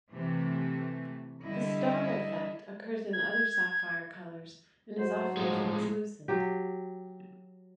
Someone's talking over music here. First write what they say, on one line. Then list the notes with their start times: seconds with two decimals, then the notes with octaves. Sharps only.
The star effect occurs in other sapphire colours and is often translucent.
0.13 C3 E3 A3
1.44 D3 G3 E4 D#5
3.13 G#6
4.98 G#2 F#3 C5
5.37 A2 F3 G#3
6.28 F#3 G4